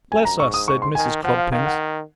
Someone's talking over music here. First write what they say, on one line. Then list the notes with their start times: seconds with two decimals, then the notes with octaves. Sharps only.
'Bless us!' said Mrs. Cluppins.
0.11 F#2 G#5
0.25 A#5
0.39 G#2 C#6
0.54 D#6
0.68 C#6
0.82 C6
0.95 D#3 G#5
1.24 F3 F#5
1.37 F5
1.52 D#3 F5
1.66 F#5